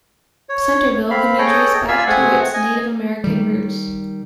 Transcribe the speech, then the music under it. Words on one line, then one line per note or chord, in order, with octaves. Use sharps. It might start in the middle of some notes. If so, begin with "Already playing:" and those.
Centerville can be traced back to its native American roots.
C#5
C4 F5 B5
G#4 A4 C#5 D#5 G5
F4 D5 E5 F5 G#5 E6
G#3 A3 C4 F#5 G#5
D#5 G#5
D#3 G3